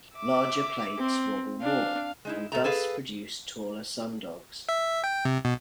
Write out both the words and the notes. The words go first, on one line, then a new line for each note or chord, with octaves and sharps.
Larger plates wobble more, and thus produce taller sundogs.
E5 D6
C4
D4 F5
G#3 D#4 E4
A#2 D#3 A3 A#5
G#4 A4 B4 F5
E5
G5
C3
B2